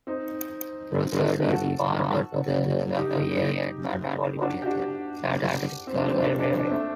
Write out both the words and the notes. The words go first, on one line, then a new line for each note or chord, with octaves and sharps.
Broussard is part of the Lafayette Metropolitan Statistical Area.
C4 D#4
F#4 A4
D#4 G4
D4 F#4
G4
D4 F#4
C4
D4
C4
D4
C4
D4
C4
D4
A3 C4